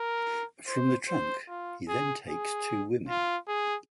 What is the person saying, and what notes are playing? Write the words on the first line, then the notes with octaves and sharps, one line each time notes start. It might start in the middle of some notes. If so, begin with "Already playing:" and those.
From the trunk he then takes two women.
Already playing: A#4
C5
C5
F4
G#4
G#4
F4
G#4